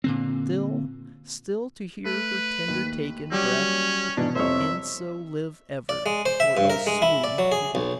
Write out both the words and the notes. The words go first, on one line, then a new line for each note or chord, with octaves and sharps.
Still, still to hear her tender-taken breath, And so live ever,--or else swoon to death.
A#2 D3 C4
A3 B4
D#2
F#3 G3 C#4 G4
G#2 B2 E3 D4
C2 F2 C5 C#5 E5
D5
G#3
C5
E5
G2
A#4
G#3
E4
D5
F#3
G#4
B1